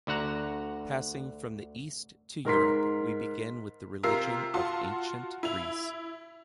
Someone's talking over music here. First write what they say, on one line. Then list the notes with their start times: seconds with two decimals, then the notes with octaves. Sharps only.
Passing from the East to Europe, we begin with the religion of ancient Greece.
0.07 D2 D3 F#4 F#5 A#5
2.45 G#2 A#4 C6 B6
4.03 C3 F4 A#4 A#5 E6 C7
4.54 F4 F#4 A5 C6
5.43 E4 F7